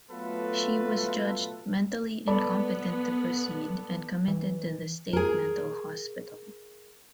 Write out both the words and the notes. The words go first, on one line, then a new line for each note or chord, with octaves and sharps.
She was judged "mentally incompetent to proceed" and committed to the state mental hospital.
F#3 A3 B3 F4 A4 B4
B3 A4 D5 B5
E3
G#4 A#4